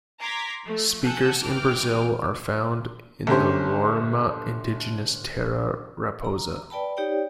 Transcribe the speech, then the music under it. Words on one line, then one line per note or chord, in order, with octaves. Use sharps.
Speakers in Brazil are found in the Roraima Indigenous Terra Raposa.
A#5 C6 D6 G#6 A#6 B6
F3 A3
F#5 G#5 A5 E6 G6
G#1 E3 G5 D6 F6
G1 C#4 G4 C5
A#5
B4 D5 G5 A5 B5
D#4 G4 C#5 D5 G5